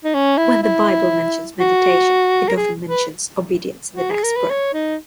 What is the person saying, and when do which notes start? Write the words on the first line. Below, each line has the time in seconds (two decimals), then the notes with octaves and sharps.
When the Bible mentions meditation, it often mentions obedience in the next breath.
0.04 D#4
0.14 C#4
0.38 E4
0.63 E4
1.60 F#4
2.48 A#4
2.57 G#4
2.89 B4
3.96 F#4
4.10 G#4
4.24 A#4
4.36 B4
4.50 C#5
4.74 D#4